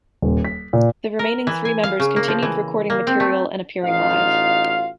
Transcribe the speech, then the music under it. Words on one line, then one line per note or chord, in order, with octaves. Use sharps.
The remaining three members continued recording material and appearing live.
D#1
B6
A#2
A#4
E3
G#5
F5
C#3
A#3
F3
E3
A#3
C4
A3
A1 D#4 F4 F#4 F5